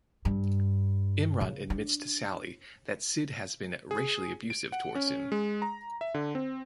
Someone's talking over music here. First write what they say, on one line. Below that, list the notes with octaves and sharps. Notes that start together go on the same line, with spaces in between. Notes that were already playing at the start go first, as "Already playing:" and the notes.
Imran admits to Sally that Sid has been racially abusive towards him.
G2
C#3
D4
G#4
D7
F#5
C#4
G#3
A#5
E5
D3
C4